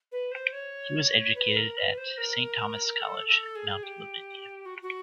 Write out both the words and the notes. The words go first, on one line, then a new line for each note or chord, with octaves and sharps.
He was educated at S. Thomas' College, Mount Lavinia.
B4
C5
C#5
B4
A#4
B4
C5
A#4
A4
A4
G#4
G4
F#4
F#4